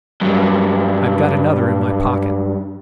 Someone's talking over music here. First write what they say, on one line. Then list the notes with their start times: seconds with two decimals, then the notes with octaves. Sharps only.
"I've got another in my pocket."
0.21 G2 F#3